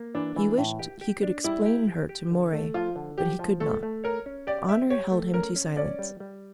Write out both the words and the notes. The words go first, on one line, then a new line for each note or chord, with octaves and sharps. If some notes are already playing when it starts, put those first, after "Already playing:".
He wished he could explain her to Moray, but he could not. Honor held him to silence.
Already playing: A#3
E3 D4
E3
A2
G4
G4
D4
G3 E4
G4
G4
G4
D3
A3
F3 F4
D3
F3 G4
F3
A3 A4
A3
A#4 C#5
C#4
G4 D5
G4 E5
G4 C#5
A3
C#4 A#4
C#4
C#4 D5
G3
G3